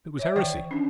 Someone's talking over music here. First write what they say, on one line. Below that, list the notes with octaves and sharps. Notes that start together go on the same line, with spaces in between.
It was heresy.
C#5 E5
D#3 E3 C5 D5 G5
C#4 D4